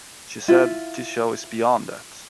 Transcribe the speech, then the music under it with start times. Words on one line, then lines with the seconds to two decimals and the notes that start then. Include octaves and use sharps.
She said, This show is beyond that.
0.48 E4 F4